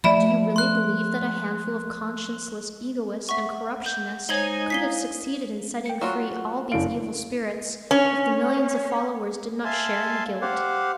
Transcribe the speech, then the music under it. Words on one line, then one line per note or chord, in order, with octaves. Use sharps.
Do you really believe that a handful of conscienceless egoists and corruptionists could have succeeded in setting free all these evil spirits, if the millions of followers did not share in the guilt?
F3 A3 D5 E5 B5
C6 F#6
E5 F#5 C#6
G6
G#3 D#4 C5 C#5 G#5 G#6 F#7 G7
E4 F5 B6 C7 G7
G5 C#7
F#3 F4 F#4
F#1 D4 E4 F5 D7
C#4
E5 F5 G#5 A5 C6
G4 C5 F5 F#5